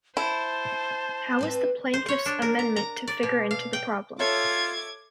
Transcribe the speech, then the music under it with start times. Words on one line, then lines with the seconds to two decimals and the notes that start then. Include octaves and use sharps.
How is the plaintiff's amendment to figure into the problem?
0.17 E4 C5 A5
1.39 C4 B4 D5
1.94 C5
2.08 C#5
2.26 D4
2.42 A#4
2.59 A#5
2.76 A#5
3.07 D5
3.23 B2
3.51 F5
3.73 G5
4.20 F4 A4 C#5 E5 D6 G#6